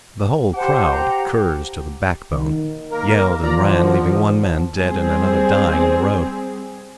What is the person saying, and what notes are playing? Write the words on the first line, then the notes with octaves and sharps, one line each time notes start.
The whole crowd--curs to the backbone--yelled and ran; leaving one man dead, and another dying in the road.
G4 C5 F#5 G5 A5
A#5
D#3
A#3 A#4
E3 F4 D5 A#5
D3 F3
G3 C4 G#4